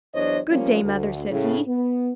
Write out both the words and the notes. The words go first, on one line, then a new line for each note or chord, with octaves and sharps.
'Good day, mother,' said he.
E2 F#3 D4 C5 C#5 D#5
F3 G3 A#3 C#4 F4
D2
A2 C#3
B3